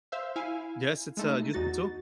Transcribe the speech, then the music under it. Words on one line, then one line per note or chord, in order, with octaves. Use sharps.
Yes, it's, uh, useful too.
C5 E5 F5
E4 F5 G#5
G#3 A3 D#4
E2 D#4 F#4 A6